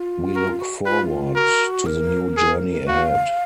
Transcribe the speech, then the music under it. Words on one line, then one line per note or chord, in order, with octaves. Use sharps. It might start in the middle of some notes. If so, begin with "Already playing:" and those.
We look forward to the new journey ahead.
Already playing: F4
F#4 A#4
F4
F#4
F4 B4
F#4 A#4
A#4
G#4
F#4 F5